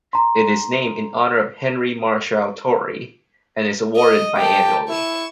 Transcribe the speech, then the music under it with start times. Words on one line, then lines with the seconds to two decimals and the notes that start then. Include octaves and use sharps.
It is named in honour of Henry Marshall Tory and is awarded bi-annually.
0.13 A#5 C6
3.96 D#5
4.37 G4 G5 A5
4.89 E4 C#6 E7